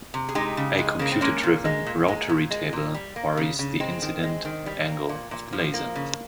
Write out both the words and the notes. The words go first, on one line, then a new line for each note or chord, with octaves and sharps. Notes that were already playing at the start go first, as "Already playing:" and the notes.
A computer-driven rotary table varies the incident angle of the laser.
C3
G#4
G#3 D#4 G4
C#3
G#3
C#3 A#3
C4
G#3 A#3 C#4
A#2
G#3
A#2
G#3
A#2
G#3
A#2
G3
A#3
C#3
C#3
G#3 C4
D#3
G#3
D#3
G3
A#3
A#2
A#2
F3
A#3
C#3